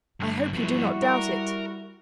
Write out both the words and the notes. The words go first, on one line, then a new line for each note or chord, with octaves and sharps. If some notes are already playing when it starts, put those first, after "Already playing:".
"I hope you do not doubt it."
G2 D3
F3 G3 B3 E4 F#4
A#4